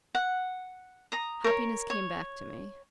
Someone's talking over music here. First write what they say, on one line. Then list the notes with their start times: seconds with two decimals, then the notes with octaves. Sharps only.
Happiness came back to me.
0.15 F#5
1.12 A#5 D#6
1.44 A#4 C#5
1.90 C#5